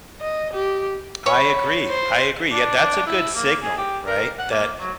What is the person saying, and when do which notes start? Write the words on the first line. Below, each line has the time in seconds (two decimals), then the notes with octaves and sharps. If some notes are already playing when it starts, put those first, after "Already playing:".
I agree, I agree, yeah, that's a good signal, right? That
0.21 D#5
0.53 G4
1.26 C#5 B5
1.89 C5
2.51 D4
2.76 D4
3.06 E4
3.35 A#3
3.63 G#4
3.77 G4
4.06 A#4
4.39 F#5
4.51 A#3
4.80 F#3